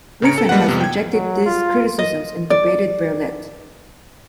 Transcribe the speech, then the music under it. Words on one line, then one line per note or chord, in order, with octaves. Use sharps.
Griffin has rejected these criticisms and debated Berlet.
C#3 C#4 C#5 A#5 C#7 D7
A4
G3 G#3 A#3 B4 F#5
F2 C3 B3
G5 G#6
F#3
F4
D#5
D5